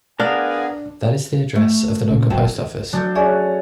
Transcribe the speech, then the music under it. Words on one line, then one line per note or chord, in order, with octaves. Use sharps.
That is the address of the local post office.
B3 D4 G#4 A#4 F5 F#5 G#5
A3
A#2 C#3
G1 F#2 F#3 C4 A5
F#3 D4 A4 G6
C#4 G#4 D5 E5